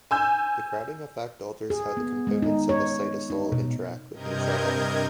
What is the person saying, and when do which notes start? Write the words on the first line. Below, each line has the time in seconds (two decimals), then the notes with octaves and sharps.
This crowding effect alters how the components of the cytosol interact with each other.
0.11 G#5 E6 G6
1.70 G#4
1.97 B3
2.27 G#3
2.42 D#4
2.69 C#5
3.30 D#4
3.52 B2
4.12 G2 C3 A#4 D#5 G6 G#6